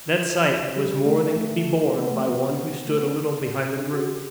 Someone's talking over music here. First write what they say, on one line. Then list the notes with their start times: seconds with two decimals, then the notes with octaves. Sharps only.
That sight was more than could be borne by one who stood a little behind the group.
0.76 G3
1.05 A3
1.35 A3
1.97 B3
2.11 A3
2.27 B3
2.87 A3
2.97 B3
3.77 D4
3.92 F#4
4.08 G4